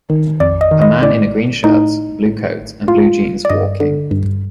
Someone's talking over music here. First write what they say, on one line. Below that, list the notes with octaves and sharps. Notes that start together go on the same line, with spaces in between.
A man in a green shirt, blue coat, and blue jeans walking.
D#3
F2 D5
D#5
D#3
D#5
A2 D5
A2 D#4
A2
A2 F4
D5
G2 D#5
D3
G2